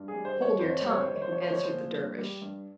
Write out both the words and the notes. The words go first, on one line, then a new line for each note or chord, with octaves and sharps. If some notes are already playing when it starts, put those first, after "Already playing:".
"Hold your tongue," answered the Dervish.
Already playing: G2
G#4
G3
C5
D#3
C#5
F2 C5
C#5
G3 C5
C#5
D#3 C5
C#5
C5
F3 C#5
C5
F3 C#5
C5
A#2
G2
G3
G2